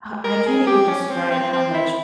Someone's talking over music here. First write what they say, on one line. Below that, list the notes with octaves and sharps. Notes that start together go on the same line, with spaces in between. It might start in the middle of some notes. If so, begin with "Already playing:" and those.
I I can't even describe how much
A#4
G#4
G4
C#4
C4
C4
C4
E4